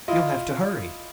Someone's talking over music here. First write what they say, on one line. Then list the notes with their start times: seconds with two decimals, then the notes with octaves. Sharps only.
"You'll have to hurry."
0.08 E4 F4 D#5